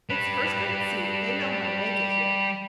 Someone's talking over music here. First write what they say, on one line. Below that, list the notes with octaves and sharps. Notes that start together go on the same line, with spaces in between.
It's first-rate soup, they know how to make it here.
G3 B4